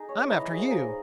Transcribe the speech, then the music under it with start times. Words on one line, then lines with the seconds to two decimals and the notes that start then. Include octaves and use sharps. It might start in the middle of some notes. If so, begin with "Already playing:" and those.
"I'm after you."
Already playing: D#4 G#4
0.09 C#5
0.30 E3 D#4
0.50 G#4
0.56 F#3
0.60 F3
0.70 D#4